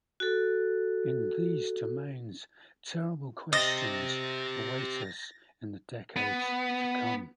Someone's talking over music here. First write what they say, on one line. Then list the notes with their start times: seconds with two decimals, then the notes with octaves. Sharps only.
In these domains, terrible questions await us in the decades to come.
0.20 F#4 A4
3.53 G4 C5 D#5 A6 A#6
6.16 B3